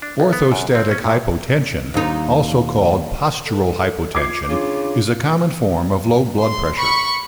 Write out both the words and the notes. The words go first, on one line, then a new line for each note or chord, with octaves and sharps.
Orthostatic hypotension, also called "postural hypotension", is a common form of low blood pressure.
D4
B1
B3
F#2
C4
C#4
A#2
D#2 D#4
A4
F4 D6 G#6 C7
C#3 D4 F4
C6
B5 C#6